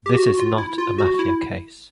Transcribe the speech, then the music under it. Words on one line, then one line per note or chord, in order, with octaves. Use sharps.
This is not a Mafia case.
G4
F#4
F4
E4
F4
F#4
E4